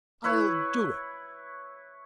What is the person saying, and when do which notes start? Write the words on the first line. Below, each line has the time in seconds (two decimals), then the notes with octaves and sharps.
I'll do it....
0.24 E4 B4 C#5